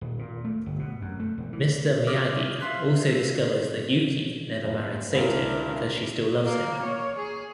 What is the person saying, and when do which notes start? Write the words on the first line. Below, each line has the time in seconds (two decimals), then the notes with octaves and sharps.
Mister Miyagi also discovers that Yukie never married Sato because she still loves him.
0.01 D#1
0.19 A#2
0.45 A3
0.66 G1
0.79 B2
1.02 F#2
1.20 A3
1.38 E1
1.53 E3
2.07 E5 D6 D#6 F6 A#6
2.60 E5 F5 C6 F#6 B6
4.64 F#1
5.14 C#2 D4 E4 A#4
6.45 A#3
6.82 C#5
7.18 G#4